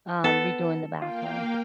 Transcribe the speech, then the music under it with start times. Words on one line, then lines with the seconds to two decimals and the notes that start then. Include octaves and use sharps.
um, redoing the bathroom
0.24 B3 A4 A5
1.02 A#3 F4 F5 G5